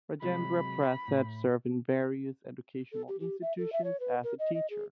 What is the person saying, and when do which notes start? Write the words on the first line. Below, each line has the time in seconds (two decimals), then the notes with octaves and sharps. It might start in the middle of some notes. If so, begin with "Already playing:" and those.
Rajendra Prasad served in various educational institutions as a teacher.
0.22 C3 F#3 G#3 B5
1.08 A2
2.92 A4
3.08 G4
3.20 G4
3.42 E5
3.58 A4
3.73 E5
3.84 C#5
4.00 B4
4.24 A#4
4.39 D#5
4.54 D#5
4.70 G#4